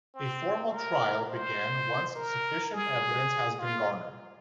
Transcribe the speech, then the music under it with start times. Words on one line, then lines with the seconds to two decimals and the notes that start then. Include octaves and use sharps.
A formal trial began once sufficient evidence had been garnered.
0.15 C4
0.72 A#4
1.29 C5
2.15 A#4
2.74 G#4
3.59 F4